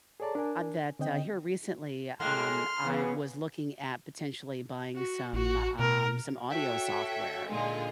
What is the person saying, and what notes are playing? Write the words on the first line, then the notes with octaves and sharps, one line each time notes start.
a that, uh, here recently, um, I was looking at potentially buying some, um, some audio software,
G#4 A4 C#5 D5 A5 A#5
D4 A#4 G#5
D3 C4 D#5 G5
A2 G#3 A#3 C6 F6
C#3 E3 B3
F#4
A1 F#4
B2 A#4
F#4 A4 C#5 E5 G5
A#2 D3 G#3 D#4 F4 G#4